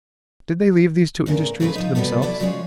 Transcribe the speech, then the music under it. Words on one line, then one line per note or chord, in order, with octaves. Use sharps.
Did they leave these two industries to themselves?
E2 A2 C#3 A#4
D2 G#2 C#3 G#3 C4 B4
F3 D#4
C3 G3 B3 F#4 A4
E4 F#4 A4 D5 E5
C#3 F3 G#3 D4 G#4 C#5